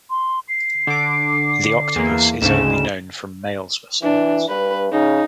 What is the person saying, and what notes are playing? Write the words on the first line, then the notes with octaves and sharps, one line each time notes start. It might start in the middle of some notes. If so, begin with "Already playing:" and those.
The octopus is only known from male specimens.
C6
C7
D3 D6
E2 A#3
D2 G#2 C#3 E7
E3 D4
G2 B4
C#3 D#4